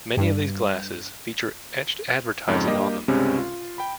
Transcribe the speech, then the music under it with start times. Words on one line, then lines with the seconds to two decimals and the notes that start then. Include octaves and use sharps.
Many of these glasses feature etched advertising on them.
0.17 G2
2.47 F2 G#2 C#3 G#3
2.65 G3 A#3 D4 G4 D#5
3.08 C#2 G2 C3 G#3 C4 C#4
3.38 F4
3.78 G5 B5